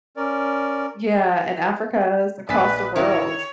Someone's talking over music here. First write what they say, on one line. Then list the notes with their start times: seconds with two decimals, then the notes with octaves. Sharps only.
Yeah, and Africa is across the world.
0.17 C#4 A#4 D5
2.49 A#1 B4 D5 G#5 B6
2.96 D#3 E4 A#4 C#5